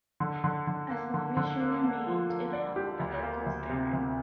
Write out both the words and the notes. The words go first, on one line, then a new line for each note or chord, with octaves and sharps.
As long as she remained in hell, the earth was barren.
D3
D3
D3
A#3
D3
D3
A#3
A#3
F3
A#3
D5
G4
D2
A#3
D2
C3
D2